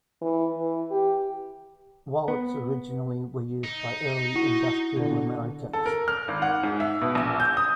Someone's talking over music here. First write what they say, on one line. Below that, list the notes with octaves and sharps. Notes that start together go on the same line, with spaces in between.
Wallets originally were used by early Industrial Americans.
E3
E3
G4
B3
D#4
E4 F#4
B2 D3
A4
A#4
F6
G#1
F#5
G#2
E5
B2
A#1
G6
D#6